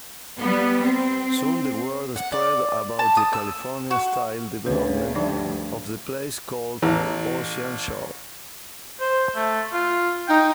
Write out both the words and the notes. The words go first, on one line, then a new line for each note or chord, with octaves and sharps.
Soon the word spread about the California-style development of the place called Ocean Shores.
G3 B3
C4
F#5
D5
A5
D#6
E6
F#4
D2 C#3 B4
G2 F3 D#4 D5
A1 E2 A#5
C5
A3
F4
D#4 G5